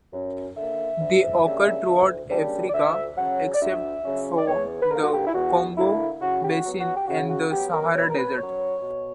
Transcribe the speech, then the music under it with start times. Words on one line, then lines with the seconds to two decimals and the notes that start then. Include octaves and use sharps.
They occur throughout Africa except for the Congo basin and the Sahara Desert.
0.13 F#2
0.55 D3 A#3 E5
0.99 D2
1.43 C#3 G3 A#3 D4
1.86 D2
2.30 C#3 G3 A#3 D4
2.69 D5
2.73 D2 E5
3.17 C#3 F#3 C#4 F#5
3.55 D5
3.60 D2 E5
4.03 C#3 F#3 C#4
4.37 D5
4.47 E2 C#5
4.81 B4
4.90 D3 A#3 A#4
5.02 F#4
5.12 G4
5.26 E4
5.34 E2 F#4
5.77 D3 A#3 E4
6.21 C#3 F#4
6.44 G4
6.50 F#4
6.64 F#3 B3
6.78 F#4
6.96 G4
7.08 C#3 F#4
7.29 F#4
7.51 F#3 B3 G4
7.73 A#4
7.94 B2 C#5
8.03 B4
8.10 A#4
8.18 B4
8.38 F#3 C#4 C#5
8.81 B2